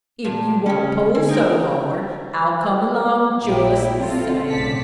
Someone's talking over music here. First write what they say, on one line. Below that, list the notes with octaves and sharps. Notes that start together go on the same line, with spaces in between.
If you won't pull so hard I'll come along just the same.
A#2 A5
C#3 C#4
G4
D3 G#5
D4 D#4 G4 A#4
A#1 A#2 E4 G5
C4 F4 A4 C5
B1 A2 D5 A5 B6 C#7